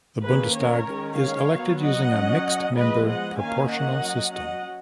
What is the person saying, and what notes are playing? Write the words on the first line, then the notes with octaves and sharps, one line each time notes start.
The Bundestag is elected using a mixed member proportional system.
D#3 A#3 C#4 G#4 B4
A#4 C#5
D#3 G#3 C#4
C#5 F5
F#3 B3
D#5 F#5
F#3 C#4
F3 G#3 B3 B4 D#5
D#5 F#5
D#3 A#3 C#4 F5 G#5
D#5 F#5
F#3 C#4
D#5 F#5